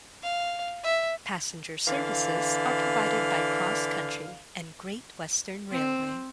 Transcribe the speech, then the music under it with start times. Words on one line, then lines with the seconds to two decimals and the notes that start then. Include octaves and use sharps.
Passenger services are provided by CrossCountry and Great Western Railway.
0.23 F5
0.84 E5
1.88 D3 E3 F5
5.71 C4 C5